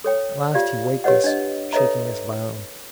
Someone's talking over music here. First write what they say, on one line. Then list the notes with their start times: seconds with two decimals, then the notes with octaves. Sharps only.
At last he waked us, shaking us violently.
0.04 A4 C#5 G5
0.54 F4 G4 D5 F5
1.04 G4 B4 C#5 D#5 F#5
1.24 D4 D#5
1.73 A4 B4 C#5 D#5 E5 A#5